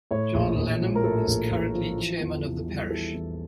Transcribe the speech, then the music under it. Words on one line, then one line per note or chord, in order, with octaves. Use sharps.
John Lanham is currently Chairman of the Parish.
A2 C#5
A#1
A#1
F3
A#4
A2 A4
A#1
A#1
F3
E3
E2
E2
G3
E3 A4
E2